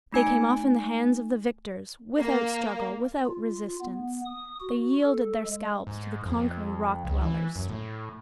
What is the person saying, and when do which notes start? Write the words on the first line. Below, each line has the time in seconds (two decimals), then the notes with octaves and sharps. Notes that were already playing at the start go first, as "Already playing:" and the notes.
They came off in the hands of the victors - without struggle, without resistance, they yielded their scalps to the conquering Rock-dwellers!
0.12 A3 D#4 G#5 D7
2.17 A#3
3.26 F4
3.81 B3
4.26 D#6
4.61 F#4
5.03 A4
5.46 G#3
5.87 G#2
6.26 F2
7.05 C#2
7.21 E3
7.56 F#2
7.69 A2